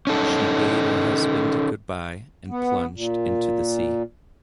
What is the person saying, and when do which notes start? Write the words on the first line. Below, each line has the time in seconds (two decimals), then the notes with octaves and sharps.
She bade her husband goodbye and plunged into the sea.
0.07 C#4 D#4 A4
2.49 B3
2.95 A#2